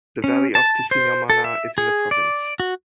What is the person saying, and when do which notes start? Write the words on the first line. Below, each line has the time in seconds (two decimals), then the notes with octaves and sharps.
The valley of Piscinamanna is in the province.
0.24 C#4
0.55 A5
0.91 C5
1.30 A4
1.44 E5
1.78 G#4
2.11 D5
2.60 F#4